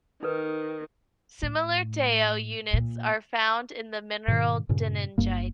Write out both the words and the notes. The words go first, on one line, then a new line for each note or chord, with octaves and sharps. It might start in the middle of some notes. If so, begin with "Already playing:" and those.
Similar TeO units are found in the mineral denningite.
D#3 D#4 A4 B4
A2
A#2
G#2 B2 D#3
G2 A#2 C#3
G1 G2 A#3